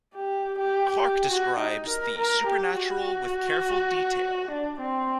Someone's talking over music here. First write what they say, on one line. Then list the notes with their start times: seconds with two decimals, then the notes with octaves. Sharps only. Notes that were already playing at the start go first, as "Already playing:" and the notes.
Clarke describes the supernatural with careful detail.
0.15 G4
0.59 G4
1.03 G4
1.32 F#4
1.61 D#4
1.89 A#4
2.19 A#4
2.48 G4
2.76 F#4
4.52 D4
4.81 C4